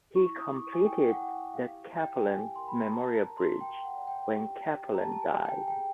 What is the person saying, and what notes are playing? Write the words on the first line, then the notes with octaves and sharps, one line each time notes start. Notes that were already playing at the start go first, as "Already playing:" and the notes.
He completed the Cappelen Memorial Bridge when Cappelen died.
E4 C#6
D#6
E4
D6
C#6
G#5
E4 G5
F#5
E4
G4 F5
G4
G5
G4 G#5
A#4 C6
B5
A#5
F#4 A5
A#5
A#4
C6
F#4 G5
F#5
D5
G5
G4
G4
A#5
G4 A5
A5
G#5
G4
G5
G#4 G5